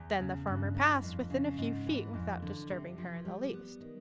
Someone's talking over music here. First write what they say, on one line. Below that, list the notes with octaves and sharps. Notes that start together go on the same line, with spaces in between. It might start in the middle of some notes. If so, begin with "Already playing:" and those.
Then the farmer passed within a few feet without disturbing her in the least.
Already playing: E2
C#3
G2
E3
F2
C#3
G#2
E3
F2
D3
C3
F3
G3
B3
D#3